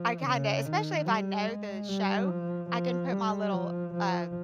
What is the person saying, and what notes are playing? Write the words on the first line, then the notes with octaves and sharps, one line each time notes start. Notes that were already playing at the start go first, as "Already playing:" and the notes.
I kinda especially if I know the show, I can put my little, uh,
Already playing: F3
C#3
D#3
G3
G#3
G3
F3
F3
G3
F3
F3